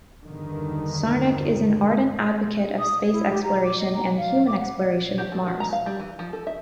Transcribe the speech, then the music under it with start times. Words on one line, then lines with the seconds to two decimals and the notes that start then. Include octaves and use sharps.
Czarnik is an ardent advocate of space exploration and the human exploration of Mars.
0.25 E2 G2 D3 D#3
2.79 D#6
3.01 G#4
3.13 E4
3.31 G4
3.43 A#5
3.64 D6
3.80 D#5
3.94 A#5
4.17 F5
4.47 D6
4.59 F#5
4.81 D5
5.18 G4
5.32 A4
5.46 F#4
5.60 A#5
5.73 F5
5.86 G3
6.00 E3
6.19 F3
6.33 A4
6.47 E5